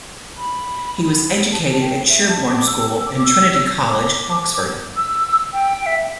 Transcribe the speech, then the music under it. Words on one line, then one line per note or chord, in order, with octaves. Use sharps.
He was educated at Sherborne School, and Trinity College, Oxford.
B5
A5
G5
E5
A5
D6
E6
E6
D6
E6
D6
E6
G5
G5
E5